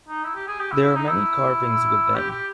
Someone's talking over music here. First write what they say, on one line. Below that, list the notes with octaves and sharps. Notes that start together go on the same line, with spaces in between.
There are many carvings within.
D#4
E4
G4
G#4
G4
E4
E4
D#4
E4
G4
G4